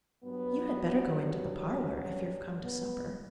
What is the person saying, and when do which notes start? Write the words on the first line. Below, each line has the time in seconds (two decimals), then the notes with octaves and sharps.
"You had better go into the parlour, if you're come to supper."
0.23 G2 F#3 B3
1.83 C#4
2.62 B3